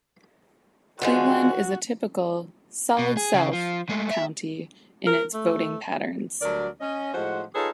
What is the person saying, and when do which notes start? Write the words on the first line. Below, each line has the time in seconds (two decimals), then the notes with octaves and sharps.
Cleveland is a typical "Solid South" county in its voting patterns.
1.02 D3 F3 G#3 F#4
2.99 B2
3.17 G#4
3.34 C#3
3.53 F3
3.89 G#3 A3
4.11 E5
5.06 A#4
5.33 A3
6.42 D2 F#3 G3 A#4 D5
6.81 C#4 D#5
7.14 A2 F3 G#3 F#4 C5 F#5
7.55 D#4 F4 G#4 A4 B4 C#5